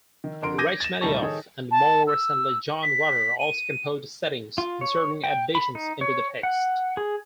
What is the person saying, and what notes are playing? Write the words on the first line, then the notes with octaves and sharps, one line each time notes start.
Rachmaninoff and, more recently, John Rutter also composed settings, inserting additions into the text.
D#3
F2 D3 A#4 C6 D7
D6 G6 G#6 A#6 D#7
A6 E7
E1 A2 D#3 G3 A5 C#6
D#3 D#4 G#4 A4 C#5
A5
E6
B6
D#7
F4
C#5
G5
B5
D#4
C#5
F#5
G#4